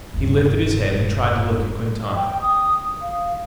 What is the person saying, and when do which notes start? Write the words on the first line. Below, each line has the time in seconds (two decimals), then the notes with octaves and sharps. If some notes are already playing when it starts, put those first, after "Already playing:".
He lifted his head and tried to look at Quintana.
0.14 E1 G2
2.17 G5
2.42 D#6
3.02 F5